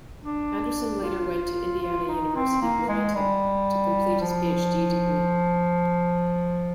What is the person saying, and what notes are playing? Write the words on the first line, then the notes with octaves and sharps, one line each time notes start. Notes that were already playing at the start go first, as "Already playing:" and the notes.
Andersson later went to Indiana University Bloomington to complete his Ph.D. degree.
D4
F4
F4
D#4
C4
A#3
G#3
G3
F3